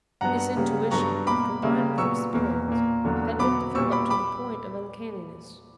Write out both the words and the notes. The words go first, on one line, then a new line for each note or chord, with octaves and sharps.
This intuition, combined with experience, had been developed to the point of uncanniness.
G2 F#3 B3 F#5 A#5
C#3 G3 A#3
G2 F#3 B3 A#5 C#6
B2 A#3 B5 D6
C#3 G3 A#3
A#2 F#3 B3 C#6 E6
E2 B2 A#3
A#2 A#3
E2 D3 F#3 A#3
B2 F#3 B3 B5 D6
A#2 G3 B3 C#6 E6
B5 D6
B5 D6